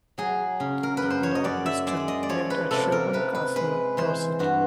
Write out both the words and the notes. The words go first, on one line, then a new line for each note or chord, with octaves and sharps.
Lord Bristol lived at Sherborne Castle, Dorset.
F#3 G#4
C#3
A#4
B4
F#2
C5
C#5
D#5
F#2 D5
E5
G#3 D5
D#5
D5
F3 C#5
B4
C3 A4
A#4
C3 B4
B4
G#3 B4
E3 C5
G2 F#4